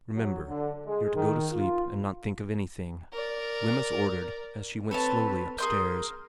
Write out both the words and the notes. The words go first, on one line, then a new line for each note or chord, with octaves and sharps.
'Remember you're to go to sleep and not think of anything,' Wemyss ordered as she went slowly upstairs.
F#3
D3
G#3
D#3
F4
A#4 D5
C4 A4 B4 C#5 A5
G#4 A#4 C6 G6